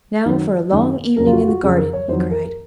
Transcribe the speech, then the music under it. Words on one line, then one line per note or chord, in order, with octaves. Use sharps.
"Now for a long evening in the garden!" he cried.
F#2 D#3 F#3
F#2 D#3 F#3
F2 C#3 F#3 A#4
F4
F#4
F4
F#4
F2 C#3 F#3 G#4
A#4
C#5
F2 D#3 F#3 C5
A#4
A#4